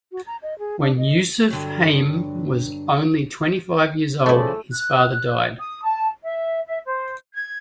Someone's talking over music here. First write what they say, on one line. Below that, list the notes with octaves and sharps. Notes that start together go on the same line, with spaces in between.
When Yosef Hayim was only twenty-five years old, his father died.
F#4
A#5
D#5
G#4
D4
D#5
G2 D3 F#3
C#3 F3 A3 E4 D5
F#6
D#6
A5
E5
E5
C5
G#6